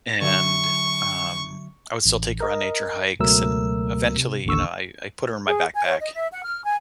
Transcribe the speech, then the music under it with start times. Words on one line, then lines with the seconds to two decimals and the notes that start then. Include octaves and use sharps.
and, um, I would still take her on nature hikes, and eventually, you know, I I put her in my backpack
0.22 D3 F#3 E5 C#6
2.06 A1
2.40 A#4 D#5
3.20 C#2 B2 F#3 A3 A#4 E6
4.16 C3
4.46 A1 D#2 D3 C#6 E6
5.48 G#4
5.74 G#5
5.87 C#5
6.01 D#5
6.14 E5
6.31 F#5
6.44 F6
6.64 G#5